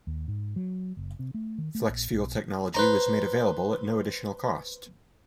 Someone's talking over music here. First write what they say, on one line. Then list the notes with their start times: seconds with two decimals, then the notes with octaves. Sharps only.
Flex-fuel technology was made available at no additional cost.
0.07 D#2
0.28 G#2
0.56 F#3
0.97 F#1
1.19 C3
1.34 A3
1.58 D#3
1.75 A3
1.88 A#1
2.12 B1
2.74 B4 C5 A#5